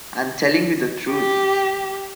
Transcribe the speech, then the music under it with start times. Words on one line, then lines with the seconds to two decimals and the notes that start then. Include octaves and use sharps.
I am telling you the truth.
1.11 G4